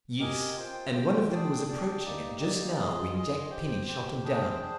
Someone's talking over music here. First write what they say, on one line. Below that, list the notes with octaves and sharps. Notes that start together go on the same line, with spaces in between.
"Yes; and one of them was approaching it just now when Jack Penny shot him down."
G4 A#4 D#5 G#5
F4 C5 G5
F4 C5 G5
D4 G#4 D5 G5
D4 G#4 D5 G5
A#3 D#4 G4 D5
A#3 D#4 G4 D5
F4 G#4 D#5
F4 G#4 D#5
G4 C5 G5
G4 C5 G5
D4 G#4 C5 G5
D4 G#4 C5